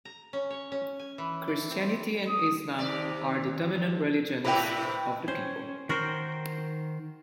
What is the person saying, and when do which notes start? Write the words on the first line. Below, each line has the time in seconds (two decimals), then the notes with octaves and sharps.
Christianity and Islam are the dominant religions of the people.
0.05 A#5
0.33 C#4
0.50 C#5
0.72 C#4
0.99 G#5
1.18 E3
1.48 D5
1.70 C4
2.28 D#6
2.78 D#2 C3 D5
4.44 A2 C3 E4 B4 G5
5.28 C#4 C5
5.89 D#3 F#4 A#4 C5 G5